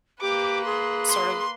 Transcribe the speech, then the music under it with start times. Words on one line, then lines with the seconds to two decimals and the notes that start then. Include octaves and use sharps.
sort of
0.21 A#3 G4 B4 D6
0.65 G#4 C6
1.09 C6